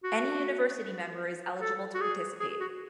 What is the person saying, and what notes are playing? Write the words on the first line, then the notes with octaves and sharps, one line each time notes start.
Any university member is eligible to participate.
F#4
A4
F#4
G#4
G#4
F#4